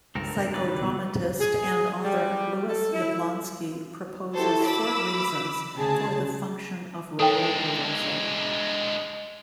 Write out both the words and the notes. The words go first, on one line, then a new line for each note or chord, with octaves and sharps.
Psychodramatist and author Lewis Yablonsky proposes four reasons for the function of role reversal.
C#2 G2 C4 A4 A#4
D#3 B4 D5
B2
G#4
G3
A4
E4
E4 F#4 G4 A4 C5 A5
B5 D6 E6
D2 C#3 G#4 A5
G#3 D4 A4 C#5 G5